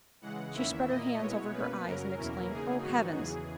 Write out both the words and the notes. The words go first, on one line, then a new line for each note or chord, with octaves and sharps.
She spread her hands over her eyes, and exclaimed, "Oh, Heavens!"
C#3 E3 G#3 F#5
E2 D#3 A#3 C#4 E4 E5
A#2 A#3 E4 D#5
B2 G#3 B3 E4 C#5
B2 A#3 C#4 B4
F#2 C#3 F#3 C#4 A#4
E2 B2 A#3 C#4 E4
C#3 F#3 A#3 D#4 G#4
G#2 D#3 F#3 B3 D#4 F#4
E2 C#3 E3 G#4